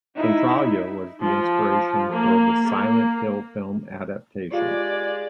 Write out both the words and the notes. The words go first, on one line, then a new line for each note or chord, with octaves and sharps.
Centralia was the inspiration for the "Silent Hill" film adaptation.
D#4 E4
F3
A#3
A#3
G#3 F4 G4 D5 F5